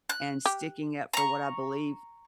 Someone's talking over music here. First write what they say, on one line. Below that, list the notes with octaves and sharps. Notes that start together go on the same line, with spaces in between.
and sticking up for what I believe
F#6
G4
A#5 C#6